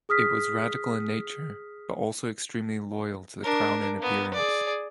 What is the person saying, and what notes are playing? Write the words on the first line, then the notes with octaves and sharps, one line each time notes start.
It was radical in nature, but also extremely loyal to the crown in appearance.
G#4 D#6 F6 B6
D4 A#4
A#3 B3
G#4 D5